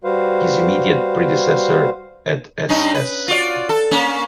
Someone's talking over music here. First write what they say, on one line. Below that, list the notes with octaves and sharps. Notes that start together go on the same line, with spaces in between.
His immediate predecessor at Ss.
G3 F#4 B4 C5 F5
G2 C#4 D#4
B4
F4 F#4 D5
A4
A#3 C#4